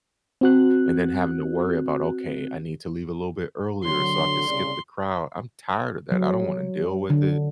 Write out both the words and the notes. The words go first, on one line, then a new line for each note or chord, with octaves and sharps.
and then having to worry about, "Okay, I need to leave a little bit earlier so I could skip the crowd." I'm tired of that, I don't wanna deal with it.
C4 F#4 F#6
D3 F#3 C6
C2 C#3 D5
F#3
D3